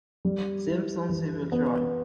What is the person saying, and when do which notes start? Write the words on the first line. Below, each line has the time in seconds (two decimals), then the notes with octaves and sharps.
Simpson civil trial.
0.25 G3
0.67 E4
1.09 E3
1.52 B3